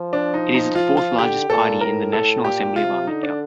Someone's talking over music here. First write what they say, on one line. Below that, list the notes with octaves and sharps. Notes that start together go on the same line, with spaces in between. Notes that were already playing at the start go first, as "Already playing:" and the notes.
It is the fourth largest party in the National Assembly of Armenia.
Already playing: F3
D4
D#4
D#4
F4
F4
D3 G4
A#2 A4
A2 A#4
A4
A#2 G4
C3 F4
D3 D#4
D4